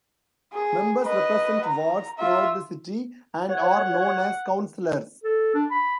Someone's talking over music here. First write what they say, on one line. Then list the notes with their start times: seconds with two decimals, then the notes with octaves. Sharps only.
Members represent wards throughout the city, and are known as councillors.
0.53 G#4
1.05 B4 D#5
1.65 A#5
2.18 F4 E5
3.49 C#5 F#5
5.24 A4
5.54 D4
5.71 B5